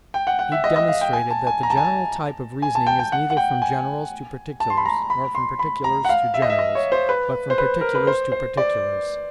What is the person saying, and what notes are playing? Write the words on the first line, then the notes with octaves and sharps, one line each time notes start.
He demonstrated that the general type of reasoning is neither from generals to particulars, nor from particulars to generals, but from particulars to particulars.
G5
F#5
F#5
E5
D#5
D#5
F5
G5
G#5
A5
G#5
A#5
A5
G#5
A5
G#5
A5
G5
G5
F#5
F#5
G5
G#5
A5
C6
B5
A#5
B5
C6
B5
A#5
F#5
F5
E5
D#5
E5
D#5
C#5
C5
B4
C5
B4
A#4
B4
C5
C5
D5